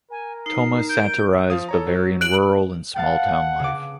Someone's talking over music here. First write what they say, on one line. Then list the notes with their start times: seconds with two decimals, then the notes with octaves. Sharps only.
Thoma satirized Bavarian rural and small-town life.
0.11 A#4 G#5
0.46 D#4 C7
0.89 G6 D7
1.50 F3 F5 D#6
1.69 A4 C#5 A#5
1.87 F#3
2.21 F#6 D7 F#7
2.96 B3 F5 F#5 A5
3.59 C#3 D6